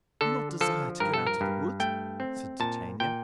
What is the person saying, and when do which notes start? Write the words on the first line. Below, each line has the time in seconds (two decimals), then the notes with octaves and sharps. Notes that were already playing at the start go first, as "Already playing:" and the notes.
"Do not desire to go out of the wood," said Titania.
0.21 D3 A4
0.61 F3 A4
1.00 G2 A#4
1.14 A4
1.27 A#4
1.41 G2
1.80 A3 G5
2.20 C4
2.60 A#2 A5
3.00 A#2 G5